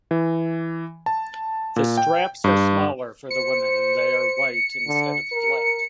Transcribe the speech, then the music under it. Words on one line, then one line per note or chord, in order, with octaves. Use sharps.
The straps are smaller for the women and they are white instead of black.
E3
A5
A#2
G5
G2
C5 C#7
D3
A#4